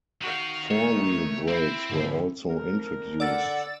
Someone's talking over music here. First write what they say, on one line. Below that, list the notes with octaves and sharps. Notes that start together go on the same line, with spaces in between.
Four-wheel brakes were also introduced.
D#3 F#4 F5
D#3 A3 C#5
C4 E4
G#2 D3 F3
F2 A#4
D3 D5 F#5 E6 A6